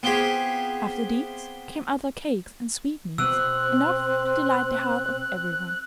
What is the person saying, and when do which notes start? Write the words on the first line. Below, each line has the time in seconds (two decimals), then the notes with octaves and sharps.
After these came other cakes and sweetmeats, enough to delight the heart of every one.
0.03 B3 C4 F4 G4 G#4
3.18 B2 C4 E6 F#6